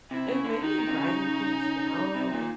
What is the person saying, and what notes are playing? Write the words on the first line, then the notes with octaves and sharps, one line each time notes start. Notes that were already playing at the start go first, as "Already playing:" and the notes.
and mainly writing things down, and
C3 E4
C#3
D3
D#3 D#4
D#3
C3
C#3
C3
A#2